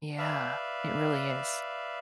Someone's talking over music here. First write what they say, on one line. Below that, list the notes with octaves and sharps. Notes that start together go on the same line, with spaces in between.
Yeah. It really is.
B4 D5 E5 F5